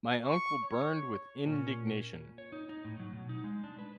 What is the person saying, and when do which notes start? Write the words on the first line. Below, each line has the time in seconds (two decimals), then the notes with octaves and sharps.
My uncle burned with indignation.
0.23 C#6
0.63 C#5
1.45 A#2 C#4
2.38 C#5
2.52 D#4
2.69 D#4
2.84 A2
2.99 F#3
3.13 B2
3.29 D#4
3.44 G#3
3.64 D4
3.78 B4